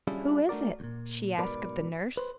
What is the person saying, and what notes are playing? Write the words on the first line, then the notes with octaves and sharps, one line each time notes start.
"Who is it?" she asked of the nurse.
G3 C#4 D4 E4 F4 G#4
A3 D4 F#4 A#4 D5
D2 A#2
G#2 B2 A#4 B4 D5 B5
B4 C5